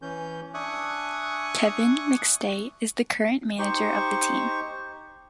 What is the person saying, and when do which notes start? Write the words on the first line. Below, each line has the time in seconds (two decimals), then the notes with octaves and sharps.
Kevin McStay is the current manager of the team.
0.02 E3 C#4 G6
0.54 D4 E5 G#5 C#6 D#6 F#6
3.59 D#4 G4 C5 C#6